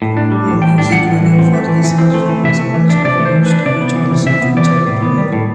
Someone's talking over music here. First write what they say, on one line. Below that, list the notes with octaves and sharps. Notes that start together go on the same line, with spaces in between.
A music video for this version was also produced, which also featured Glover.
A2
D4
G3
A2
A2 G5
D4
G3 F#5
A2
E3
C4
A3
E3
E3
C4
A3
E3
C3 E5
A3
E3
D4
C3 D5
A3
C5
E3
D4 B4
C3 D5
B3
E3
C3
C3 E5
B3
E3 D5
C3
A2
B3
G3
A2